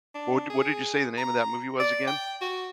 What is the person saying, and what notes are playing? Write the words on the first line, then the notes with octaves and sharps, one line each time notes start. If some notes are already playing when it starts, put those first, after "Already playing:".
What d what did you say the name of that movie was, again?
D4
G#4
A#5
D5
G5
F#4